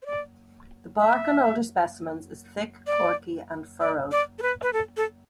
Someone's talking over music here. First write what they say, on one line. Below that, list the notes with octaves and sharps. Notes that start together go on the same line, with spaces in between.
The bark on older specimens is thick, corky and furrowed.
C5
D5
E5
D5
D5
D5
A4
B4
B4
A4
A4